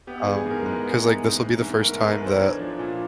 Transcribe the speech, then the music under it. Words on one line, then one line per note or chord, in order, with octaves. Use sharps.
um, 'cause, like, this will be the first time that
B3 G4
E3 G#4
G#4
G#2
A#4
G#3 B4
B3
E3
G#2
E3
G#2
A3 A#4
A4
G#2
B4
E3 C5
D4 C#5
F3
A#2